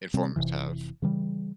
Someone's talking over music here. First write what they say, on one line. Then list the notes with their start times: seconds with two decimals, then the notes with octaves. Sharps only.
informers have.
0.14 C3 G3 C4
0.36 F1 D2 C3 E3
1.02 C#3 E3 G3